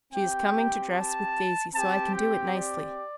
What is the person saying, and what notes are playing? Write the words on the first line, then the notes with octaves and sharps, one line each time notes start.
She is coming to dress with Daisy, so I can do it nicely.'
C4 G4 G5
A5
C4 G4 A5
G5
D5